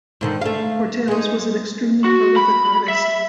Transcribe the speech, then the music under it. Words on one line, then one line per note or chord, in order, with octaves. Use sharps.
Portaels was an extremely prolific artist.
G#2 D3 D#3
A3 F5
G#3 D#4
F#4
B5
E5